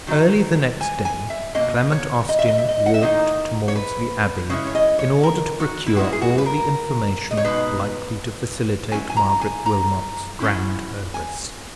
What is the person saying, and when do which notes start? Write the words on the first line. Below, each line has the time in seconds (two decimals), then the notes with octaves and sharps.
Early the next day Clement Austin walked to Maudesley Abbey, in order to procure all the information likely to facilitate Margaret Wilmot's grand purpose.
0.07 D#3 F#3 D#4
0.81 G#5
1.05 G#5
1.30 E5
1.55 B2 A#3 C#4 D#5
1.92 C#5
2.29 D#5
2.39 E5
2.48 D#5
2.58 E5
2.69 D#5
2.86 F#5
2.94 E5
3.02 D#3 A#3 D#4 D#5
3.68 C#5
3.76 B4
4.50 C#3 G#3 C#4 E4 C#5
4.67 C#5
4.75 D#5
4.99 C#5
5.23 A#4
5.60 F#4
5.86 E4
5.97 A#2 G#3 C#4 E4 F#4
6.13 G#4
6.22 F#4
6.38 B4
6.46 A#4
7.31 D#5
7.37 C#5
7.45 B2 G#3 D#4 B4
8.92 F#3 C#4 E4 G#5
9.10 G#5
9.17 A#5
9.41 G#5
9.66 A#5
10.40 F#3 C#4 E4
11.14 G#5